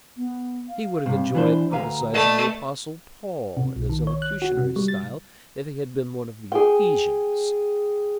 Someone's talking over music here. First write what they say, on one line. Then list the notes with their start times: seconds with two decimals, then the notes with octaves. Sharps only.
He would have enjoyed criticizing the Apostle Paul and his elocutionary style if he had been one of the Ephesians.
0.17 B3
0.69 F5
1.06 G2 C3
1.35 E3 D4 C5
1.72 D2 B4 F5 A#5
2.14 A3 A4 B4 D5 D#5 A5
3.57 C3
3.76 B1
3.89 D#3
4.07 C#5
4.22 F#6
4.42 F#4
4.57 C3
4.76 G3
4.88 A6
6.52 G#4 G5